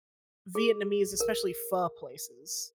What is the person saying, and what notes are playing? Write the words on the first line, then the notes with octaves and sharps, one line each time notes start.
Vietnamese, especially pho places.
G#4
A#4